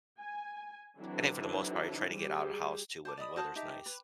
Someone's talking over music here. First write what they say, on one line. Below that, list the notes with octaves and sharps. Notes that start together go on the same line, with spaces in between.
I think for the most part, I try to get outta house too when weather's nice.
G#5
D3 E3 F#3 C4 D4 E4
G3 G4 G#4
C5 A5 D6
D5 D#5 B5 D#6
F#4 C5 A5 D#6
D#4 G4 E5 A5
B4